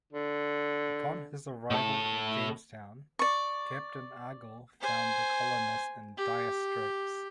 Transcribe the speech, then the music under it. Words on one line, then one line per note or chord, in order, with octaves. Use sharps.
Upon his arrival at Jamestown, Captain Argall found the colonists in dire straits.
D3
A2 A4
D5 C#6
C5 G#5
G4